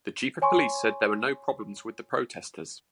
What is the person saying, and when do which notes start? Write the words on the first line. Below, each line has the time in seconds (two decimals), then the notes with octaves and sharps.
The chief of Police said there were no problems with the protesters.
0.42 C#5 G#5 C6 C#6